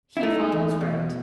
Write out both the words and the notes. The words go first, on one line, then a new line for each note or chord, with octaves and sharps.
He follows right.
E4
A3 D#4
E2
B2